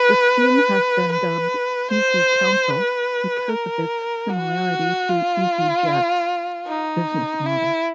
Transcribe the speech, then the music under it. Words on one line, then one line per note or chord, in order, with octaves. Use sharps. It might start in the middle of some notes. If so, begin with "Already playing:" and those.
The scheme has been dubbed easyCouncil because of its similarity to EasyJet's business model.
Already playing: B4
B4
C5
B4
A#4
F#4
F4
D#4
E4